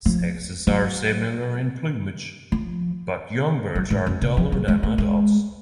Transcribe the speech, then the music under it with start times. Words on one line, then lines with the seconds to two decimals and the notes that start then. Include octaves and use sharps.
Sexes are similar in plumage, but young birds are duller than adults.
0.06 F3
0.67 F#3
2.52 F3
3.75 F#3
3.90 G#2
4.06 F#2
4.22 C#3
4.37 F3
4.52 F#3
4.68 G#3
4.83 A3
4.98 G#3